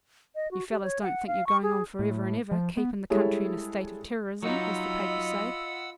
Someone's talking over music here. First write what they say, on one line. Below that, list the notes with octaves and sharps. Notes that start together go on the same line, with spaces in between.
You fellers don't think you're going on for ever and ever, keepin' the country in a state of terrorism, as the papers say.
D#5
F#4
G4
C#5
F#5
F5
C#6
G#4
A2
F3
B3
G3 G#3 E4 G#4 A4 C#5
F#3 D#4 F4 D#5 F#5 B5 E6